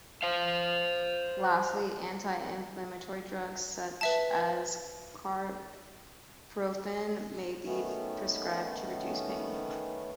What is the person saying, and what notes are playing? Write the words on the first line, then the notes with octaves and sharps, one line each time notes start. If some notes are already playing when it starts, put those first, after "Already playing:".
Lastly, anti-inflammatory drugs such as carprofen may be prescribed to reduce pain.
C5 F5
B4 E5 A5
D#3 A3 B3 C#4